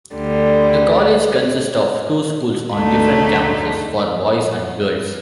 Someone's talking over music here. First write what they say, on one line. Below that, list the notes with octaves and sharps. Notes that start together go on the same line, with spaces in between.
The college consists of two schools on different campuses for boys and girls.
D2 D3 G3
D2 D3 A3 D#4